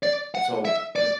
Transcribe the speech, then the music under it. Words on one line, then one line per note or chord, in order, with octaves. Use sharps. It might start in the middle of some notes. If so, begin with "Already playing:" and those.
So the
D5
F#5
E5
D5